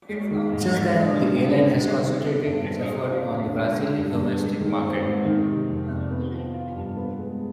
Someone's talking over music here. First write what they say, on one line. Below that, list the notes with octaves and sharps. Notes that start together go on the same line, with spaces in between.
Since then the airline has concentrated its efforts on the Brazilian domestic market.
G#3
D#3
G#2
G#2
D4
G3
D3
D3
G3
D#3
B3
G2
C4
G3
F4
D3
G#3
D3
G2
G2
G#3
D#3
C4
G#2
D#3
C3
F2
F2
B3
F3
F4
G2
B3
G#3